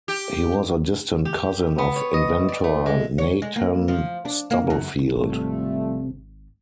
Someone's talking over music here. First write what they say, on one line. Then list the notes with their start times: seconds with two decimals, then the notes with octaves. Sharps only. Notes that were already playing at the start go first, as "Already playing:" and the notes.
He was a distant cousin of inventor Nathan Stubblefield.
0.08 G4
1.25 G4
1.78 B3
1.96 C#5
2.14 D#5
2.48 D5
2.64 A3
2.86 G#3
3.18 C#5
3.42 G#3
3.56 A#3
3.88 F3
4.25 D4
4.51 A#3
4.70 F#2
5.16 G#1 C3 F3 G3 A3